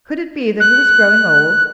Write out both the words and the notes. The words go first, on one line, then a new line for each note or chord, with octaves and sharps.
Could it be that he was growing old?
F#6